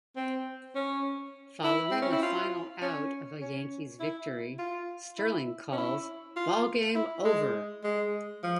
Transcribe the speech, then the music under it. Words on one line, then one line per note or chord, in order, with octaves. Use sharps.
Following the final out of a Yankees victory, Sterling calls Ballgame over!
C4
C#4
E4
C4
C#4
E4
F4
C#4
C#4
E4
F4
E4
C#4
E4
F4
E4
G#3
G#3
F3